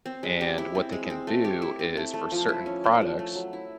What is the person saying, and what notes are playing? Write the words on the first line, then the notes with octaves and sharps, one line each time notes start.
And what they can do is for certain products,
C4
G#3
G4
E4
C4
G#3
C4
A3
G4
E4
C4
A3
A3
F3
E4
C#4
A3
F3
A3
F#3
E4